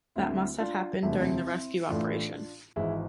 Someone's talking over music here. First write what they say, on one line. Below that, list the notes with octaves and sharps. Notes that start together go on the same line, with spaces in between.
That must have happened during the rescue operation.
D2 D3 C4 E4
D4 F4
E1 D2 C3 E3 E4
D4
C4 E4
A1 A2 E3 D4 F4
G#1 G#2 E3 E4 G#4